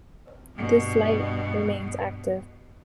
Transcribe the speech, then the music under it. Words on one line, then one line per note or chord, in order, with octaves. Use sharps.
This light remains active.
G2 B2